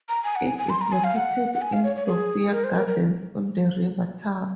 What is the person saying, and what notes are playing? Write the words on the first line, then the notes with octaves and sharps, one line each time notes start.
It is located in Sophia Gardens on the River Taff.
A#5
G#5
F#5
G#5
G#5
C6
A#5
G#5
F5
F#5
F#5
G#5
F5
C#5
C#5
G#4
A#4
C5
A#4
A#4